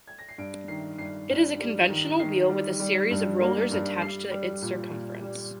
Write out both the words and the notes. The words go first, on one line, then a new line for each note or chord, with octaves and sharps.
It is a conventional wheel with a series of rollers attached to its circumference.
G#6
A#6
C7
G2 D7
D#3 C7
G2 C7
G2
G3
D#3
D#3 C7
G3
G3
G2
A#3
G2
G3 C7
G3
A#2
A#2
G3